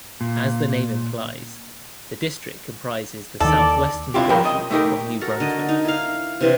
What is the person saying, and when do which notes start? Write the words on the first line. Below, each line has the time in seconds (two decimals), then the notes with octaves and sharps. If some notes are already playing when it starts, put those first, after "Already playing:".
As the name implies, the district comprises the southwestern portion of New Brunswick.
0.21 A#2
3.40 D#2 D#3 E3 A4 D5
4.14 C3 C4 D4 E4 F4 G4
4.30 C2 C#3 F3 A#4 G5 B5
4.45 D#5
4.71 A3 D#4 G4 A#4
5.21 F#4 A4 A#4
5.40 D3 D#5
5.68 D#4
5.85 E4 F5
6.41 C3 E3 C4 D4